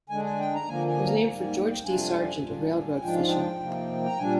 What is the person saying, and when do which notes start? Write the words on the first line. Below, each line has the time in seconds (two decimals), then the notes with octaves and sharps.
It was named for George D. Sargent, a railroad official.
0.10 D3 G#3 D4 G#5
0.24 G#5
0.39 G5
0.54 A#5
0.68 D3 F3 A#3 G#5
0.87 G#5
1.07 A#5
1.26 G#2 G3 A#3 G#5
1.41 G#5
1.70 G5
1.85 F2 C3 G3 D4 F4 G#5
2.43 A#2 G3 D4 F4
3.02 G#2 F3 G#3 D4 F4 G5
3.14 F5
3.28 G5
3.60 C3 F3 A#3 D#4
4.06 A#5
4.18 A#2 G3 D4 G#5